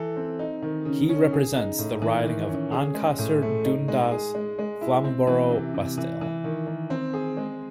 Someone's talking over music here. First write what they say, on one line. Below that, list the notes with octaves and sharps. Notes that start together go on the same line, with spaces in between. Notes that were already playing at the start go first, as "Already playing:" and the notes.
He represents the riding of Ancaster-Dundas-Flamborough-Westdale.
Already playing: E3 A4
C4
D#4
D#3
C#3
C#4
G#4
D#4
A2
E3
D#3
C#4
G#4
G#3
A2
A3
D#4
G#3
G#4
G#3
G#3
E4
C4
E3
C3
C3
E3
E3
D#3
D#3
C4
G#4
G#3